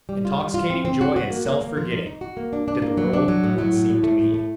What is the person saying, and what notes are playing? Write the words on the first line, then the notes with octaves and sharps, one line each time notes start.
Intoxicating joy and self-forgetting, did the world once seem to me.
G3
F4
G3
F4
C4
C4
F#4
F#4
A#3
A#3
A#3
F3
D#4
D#4
F#4
A#3
D4
D4
A#3
F#3
D4
F#3
A2
F#3
A2
A2
A3
A2
A3